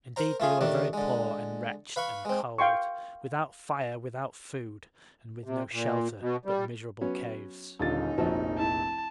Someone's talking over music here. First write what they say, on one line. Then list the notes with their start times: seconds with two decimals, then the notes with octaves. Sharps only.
Indeed, they were very poor and wretched and cold, without fire, without food, and with no shelter but miserable caves.
0.16 A#4 C5 A#5
0.40 A3 F4 G#4 F5
0.61 D#2 D#3 A3 D4
0.93 D3 G#3
1.96 B4 F5 B5 C#6
2.25 G#3 C4
2.58 F5 G5 C6 C#6
5.44 C3
5.71 A#2
6.21 B2
6.45 G3
7.01 F#3 B3 C#4
7.79 D#1 D3 G#3 C#4 D#4 F4 A6
8.18 F1 A#1 F3 F#4 A5
8.59 E4 A5